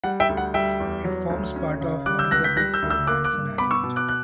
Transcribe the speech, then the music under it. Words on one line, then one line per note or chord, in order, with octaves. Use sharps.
It forms part of one of the Big Four banks in Ireland.
G3 F#5
E5 G5
D2
F#5
G3 E5 G5
E2
F#3
D2
C#4
C#3
G3 D6 F#6
E6 G6
C#2 F#6 A#6
G6 B6
G3 F#6 A#6
E6 G6
D2
E6 G6
A#3 D6 F#6
D6 F#6
G2
B3 B5 D6
C#6 E6
B2
D6 F#6
F#6